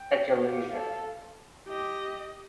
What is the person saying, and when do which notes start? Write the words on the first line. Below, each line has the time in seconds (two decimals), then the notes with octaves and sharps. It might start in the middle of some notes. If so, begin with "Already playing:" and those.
At your leisure.
Already playing: G5
0.43 G4 F5
0.75 A4
1.68 G4 D#5